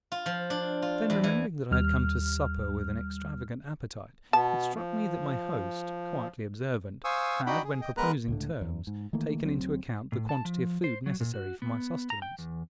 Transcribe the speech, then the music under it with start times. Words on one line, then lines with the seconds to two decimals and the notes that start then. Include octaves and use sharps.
Then, remembering that I had come to supper with an extravagant appetite, it struck me that my host, quietly observant, had, when proposing terms, taken into account the quantity of food necessary for my sustenance.
0.12 F4
0.26 F3
0.50 D4
0.82 F4
1.10 E2
1.23 E3
1.71 D#2 G3 F6
4.33 B2 B3 A5
4.74 F3
7.04 C5 F5 G#5 C#6 D#6 E6
7.46 D4 D#4 F#4 G5 B5
7.64 G#4
7.81 D#5 G5
7.97 G#3 B3 A#4 B4 A#5 F#6
8.28 C#2 A2 D3
8.61 E2
8.87 G#2
9.13 D#3 E3 A3 A#3
9.43 D2 F#3 B3 C4
10.12 A2
10.29 A5
10.45 F3
10.84 C5
11.06 F#3
11.21 A#2
11.34 F#4
11.62 B3
12.10 A#5
12.22 G5
12.39 E2